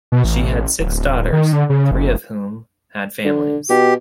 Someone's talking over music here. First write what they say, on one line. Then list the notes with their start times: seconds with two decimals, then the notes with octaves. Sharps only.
She had six daughters, three of whom had families.
0.12 B2
0.24 A1
0.79 D1
1.33 D#3
1.53 D3
1.70 C#3
1.91 F#1
3.24 D3
3.70 B2 G4